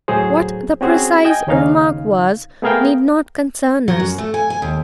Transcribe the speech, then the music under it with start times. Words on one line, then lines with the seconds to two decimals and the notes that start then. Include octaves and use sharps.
What the precise remark was need not concern us.
0.08 D2 A2 F#3 G#4 C5
0.81 C4 C#4 F#4 G#4 C5
1.25 D#5 G5 G#5
1.47 D#2 C#3 C#4 D#4 F5
2.62 A3 B3 G#4 A#4 F5 G5
3.88 F#3
4.00 F#2
4.18 A3
4.34 G#5
4.50 G#5
4.62 D#2